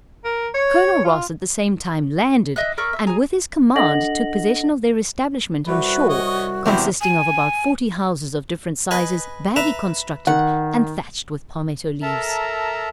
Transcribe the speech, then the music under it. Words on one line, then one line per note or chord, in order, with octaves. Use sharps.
Col. Ross at the same time landed, and with his command took possession of their establishment on shore, consisting of about forty houses of different sizes, badly constructed, and thatched with palmetto leaves.
A#4
C#5
F4
D#5 E5 D#6 F#6
A#4 D5 E5 C#6
E5
G#4 G#5 A#5
D4 A4 D#5 F#5 A#6 F#7
C2 C3 G3 F#4 B4
C#5 D#5 D#6
E2 C3 E3 G4 C5
G#5
B4 D#5 G#5
B4 E5 A#5
D#3 F#5
A4 A#4 E5 A5 A#5